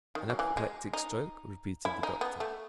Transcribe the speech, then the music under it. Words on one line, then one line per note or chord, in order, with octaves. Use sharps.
"An apoplectic stroke?" repeated the doctor.
D#3
F#3
E3
G#3
D#4
E4
D#4
B3
A3